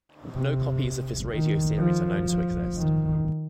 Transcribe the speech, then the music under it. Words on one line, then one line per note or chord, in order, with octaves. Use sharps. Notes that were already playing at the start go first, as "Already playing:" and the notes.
No copies of this radio series are known to exist.
C3
D#3
F3
F3
D#3